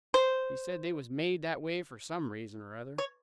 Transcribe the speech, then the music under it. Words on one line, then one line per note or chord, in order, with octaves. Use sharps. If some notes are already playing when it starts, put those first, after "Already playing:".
He said they was made that way for some reason or other.
C5
C#5